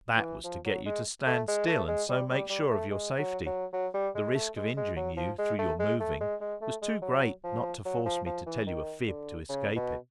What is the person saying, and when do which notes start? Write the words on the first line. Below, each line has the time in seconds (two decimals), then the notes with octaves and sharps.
"That was to get you to stand still, and so make sure of your safety. The risk of injuring you through your moving was too great not to force me to tell you a fib to escape it."
0.17 E3
0.44 F3
0.65 F#3
0.86 G#3
1.27 A3
1.48 G#3
1.67 A3
1.88 G#3
2.09 G3
2.30 G3
2.50 G3
2.71 A3
2.91 G#3
3.18 F#3
3.46 F#3
3.73 F#3
3.94 G3
4.15 G#3
4.35 A3
4.56 G#3
4.77 G#3
4.96 F#3
5.17 F3
5.39 G#3
5.59 A3
5.79 G#3
6.00 A3
6.21 G#3
6.41 G#3
6.61 A3
6.82 G#3
7.02 F#3
7.44 F3
7.85 F#3
8.05 F3
8.26 F3
8.47 E3
8.67 D#3
9.08 D3
9.49 C#3
9.76 B2